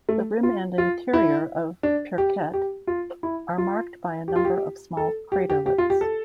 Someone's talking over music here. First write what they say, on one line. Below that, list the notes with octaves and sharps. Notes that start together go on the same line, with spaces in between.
The rim and interior of Pirquet are marked by a number of small craterlets.
A3
F4
F4
E4
D4
G4
G4
F4
E4
F4
G4
F4
G4
A4
G4
G4
G4
F4
G4
A4